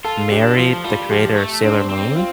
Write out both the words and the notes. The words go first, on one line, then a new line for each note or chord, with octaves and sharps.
married the creator of Sailor Moon.
F4 A4
D4 G4
F3 F4
F3
G3 F4
F3 G4
A3
C4 D4
C4
F4